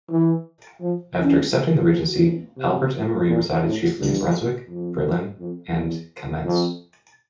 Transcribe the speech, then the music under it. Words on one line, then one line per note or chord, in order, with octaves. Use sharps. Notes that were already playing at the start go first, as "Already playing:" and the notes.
After accepting the regency, Albert and Marie resided chiefly in Brunswick, Berlin, and Kamenz.
E3
F3
E3
F3
E3
C3
A#2
A2
G2
F2
F2
E2
F2